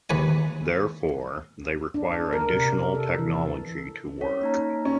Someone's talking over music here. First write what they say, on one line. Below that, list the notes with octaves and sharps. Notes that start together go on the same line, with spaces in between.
Therefore, they require additional technology to work.
D#2 B4 G#5
D4
A#4
C3
A4
E3
C#4 C#5 B6
A#3 D#4 A#5
C#4